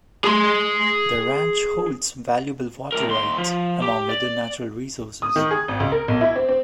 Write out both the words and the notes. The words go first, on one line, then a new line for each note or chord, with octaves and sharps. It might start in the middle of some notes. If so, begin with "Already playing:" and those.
The ranch holds valuable water rights, among other natural resources.
G#4 C6
A2 A#4
D#2 C6
F3
G4
D5
D#6
D#3
G#4
G#1
C#2
A#4
B1
E4
C4
C4